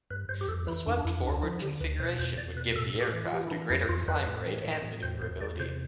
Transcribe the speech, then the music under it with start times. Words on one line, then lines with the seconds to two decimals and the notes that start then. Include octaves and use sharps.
The swept-forward configuration would give the aircraft a greater climb rate and maneuverability.
0.10 G2 B4
0.29 G2 C5
0.41 G4
0.48 F2 A4
0.67 E3 E4
0.86 F2 D4
0.97 D4
1.05 F2 E4
1.24 D2 D4
1.34 D4
1.43 F3 E4
1.62 D3 G4
1.81 D2 B4
2.00 B2 C5
2.19 E2 C5
2.37 E2 D5
2.56 B2 B4
2.76 A2 A4
2.94 A2
3.01 G4
3.13 E3
3.26 F4
3.32 E3 G4
3.41 F4
3.47 E4
3.51 E3 D4
3.70 F2 E4
3.89 F2 F4
4.08 F2 B4
4.27 A2
4.46 E3
4.65 A2
4.84 A2
5.03 E2 C5
5.21 E2 C5
5.41 E2 D5
5.59 C3 C5